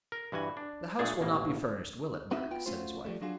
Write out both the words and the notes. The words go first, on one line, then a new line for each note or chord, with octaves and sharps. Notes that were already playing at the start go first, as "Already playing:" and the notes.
"The house will not be furnished, will it, Mark?" said his wife.
A#4
G2 E3 F#4 G#5
D4
A#2 A3 D4 G#4 G#5
A1 B2 A#3
B3 C4 D#4 F#4 E5
B3 F4 G5
A3 C#4 F4 F#4 C5
F3 G3 A3
F#3 D4 F4 F#4 G#4